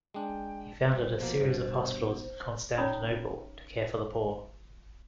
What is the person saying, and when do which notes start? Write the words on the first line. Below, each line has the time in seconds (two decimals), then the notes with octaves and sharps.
He founded a series of hospitals in Constantinople to care for the poor.
0.14 G#3 D4 G5
0.92 G3 C5
1.19 B2 F3 A#3
1.40 G2 B2
2.78 C#4 D#4 C#5 A#5 B5 D#6